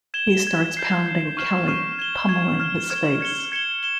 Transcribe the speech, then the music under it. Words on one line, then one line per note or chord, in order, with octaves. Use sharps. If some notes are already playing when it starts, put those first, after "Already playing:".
He starts pounding Kelly, pummeling his face.
G#6 E7 G7
G#6 E7 G7
G6 C7 E7
G6 C7 E7
C#6 F6 C7 E7
C#6 F6 C7 E7
G#6 E7 G7
G#6 E7 G7
F6 G#6 E7
F6 G#6 E7
G#6 C#7 E7 G7
G#6 C#7 E7 G7
E7 G7